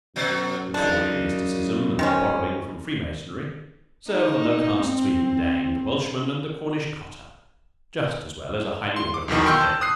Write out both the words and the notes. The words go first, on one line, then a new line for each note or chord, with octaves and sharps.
The tawdry mysticism and the borrowing from Freemasonry serve the low caste Swede and Dane, the Welshman and the Cornish cotter, just as well as a highly organized heaven.
F#2 B2 F#3
C#3 D4 D#4
D#3 C4 C#4
D#4
C4
C6
D6
B1 E2 B2 D#3
G5 C6 C#6 E6 F6 G6
A5
D#6 F#6 C7